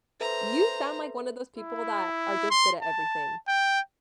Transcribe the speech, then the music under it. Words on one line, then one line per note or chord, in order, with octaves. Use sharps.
You sound like one of those people that are just good at everything.
A4 B4 C5 E5 A#5
E4
C6
A5
G5